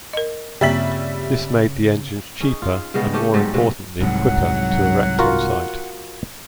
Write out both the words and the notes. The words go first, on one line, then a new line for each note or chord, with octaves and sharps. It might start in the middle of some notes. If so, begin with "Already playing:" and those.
This made the engines cheaper, and more importantly quicker, to erect on site.
A#4 D#5
G2 C#3 G3 A#3 C4 E5 F#7
C#4 D#4 G#4
F4
C#3 G3 G#3 B3
A3 C#4 G4
G#2 F#3 G3 A3
C3 F#3 A3 B3
C2 G#2 F#3 F#5
F4 F#4 A#4